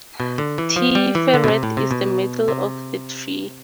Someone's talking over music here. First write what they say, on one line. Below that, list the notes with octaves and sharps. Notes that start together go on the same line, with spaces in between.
Tiferet is the middle of the tree.
B2
D3
E3
F3
G3
E3
D3
B2
C3
A2
C3
B2
C3